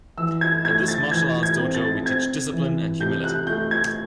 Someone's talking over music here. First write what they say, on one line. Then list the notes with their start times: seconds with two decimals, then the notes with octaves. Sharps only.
At this martial arts dojo we teach discipline and humility.
0.18 E3 E6
0.41 G#6
0.65 A3 G#6
0.88 A6
1.11 E3 G#6
1.43 G#6
1.59 C4
1.75 A6
2.06 C4 G#6
2.53 E3
3.00 C3 G6
3.24 F#6
3.47 A3 G6
3.71 G#6